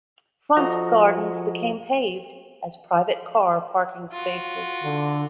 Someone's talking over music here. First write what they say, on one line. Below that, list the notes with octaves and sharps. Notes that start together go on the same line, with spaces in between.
Front gardens became paved as private car parking spaces.
F3 F#4 A4 D#5 A#5
F4 F#4
D3